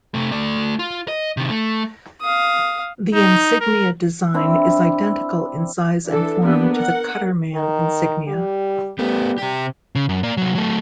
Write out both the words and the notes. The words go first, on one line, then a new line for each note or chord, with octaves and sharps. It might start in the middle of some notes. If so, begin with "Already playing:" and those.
The insignia design is identical in size and form to the cutterman insignia.
C3 A3
A3 D5
F4
D#5
C3 D#3
A3
F5 D#6
D#4
A#4
C4 D4 E4
E3 D4 A4
A#3 B3 D4 G4 A#4
A#4 F#5
D#3
G3
G3 A3 B3
C3 G4
C#3
F#2
A#3 D5
C2 F#3
F#3 A3